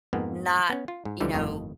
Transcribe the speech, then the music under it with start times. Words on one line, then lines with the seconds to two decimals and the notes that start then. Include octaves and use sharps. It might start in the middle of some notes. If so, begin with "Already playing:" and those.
not, you know,
0.13 F2 G#2 A#3 B3
0.70 B3 C#4
0.88 F4
1.05 G#2
1.20 C#2 D3 E3 G3
1.33 G1 F2 A2 D#3